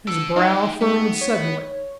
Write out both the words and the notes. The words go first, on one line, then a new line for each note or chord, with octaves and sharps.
His brows furrowed suddenly.
D4 A4 E6
G#3 D#4 G4 F5 G5
G#3 B3
C#5